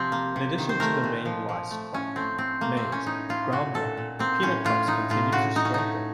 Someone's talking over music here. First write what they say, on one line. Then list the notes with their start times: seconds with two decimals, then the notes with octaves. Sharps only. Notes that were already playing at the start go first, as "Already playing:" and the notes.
In addition to the main rice crop, maize, groundnut, peanut crops continued to strengthen.
Already playing: C3 F3 C4
0.12 A#3
0.36 C3
0.58 D#3
0.69 C5
0.80 A3 A#4
1.04 A#2
1.25 F3
1.49 F3
1.71 A3
1.94 A2 C#4
2.16 A3 C4
2.38 A2 C4
2.61 A3 A#3
2.77 C4
2.83 A2
2.92 C#4
3.06 A2 D#4
3.29 A2 F4
3.52 A#2 F#4
3.74 A#2 A4
3.97 A#2
4.19 A#3 C4
4.43 A2 C#4
4.64 A2 F4
4.87 A2 D#4
5.10 A2 F4
5.32 C#3 F#4
5.55 C#3 D#4
5.65 C#4
5.74 A3 D#4